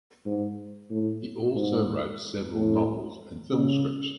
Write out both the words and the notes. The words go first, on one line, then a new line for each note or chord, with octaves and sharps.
He also wrote several novels and film scripts.
G#2
A2
G#2
A2
C#3